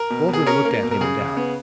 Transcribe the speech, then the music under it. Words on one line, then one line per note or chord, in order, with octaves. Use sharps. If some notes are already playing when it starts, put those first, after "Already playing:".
Waldron looked at him in doubt.
Already playing: A#4
B2
B2
G#4
C#4 A#4
A#3
B2
A#4
C#3 G#4
C#3
B3